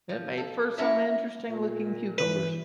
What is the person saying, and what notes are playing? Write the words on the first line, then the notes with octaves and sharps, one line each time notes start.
it made for some interesting looking cucumbers.
F3
A4
C#4 E4 A4 A#4 C#5 E5
A#2
E3 B4